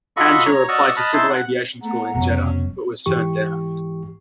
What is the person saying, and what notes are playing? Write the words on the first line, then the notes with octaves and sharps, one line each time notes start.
Hanjour applied to civil aviation school in Jeddah, but was turned down.
F4 F#4 A4 D#5 B5 C#6
C#5 A#5
F#4 D5 D#5 C#6 E6 F6
D#5 A5 B5 F6 F#6
D#4 E4 A5 C6
F#5
A3 B3 F#5 A#5
F1 B2 F#3 C#4
G#2 E3 G4 C#6